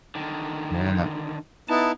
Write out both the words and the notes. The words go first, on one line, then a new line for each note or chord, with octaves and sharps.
Yeah, no
D3 D#3
B3 D#4 E4 A5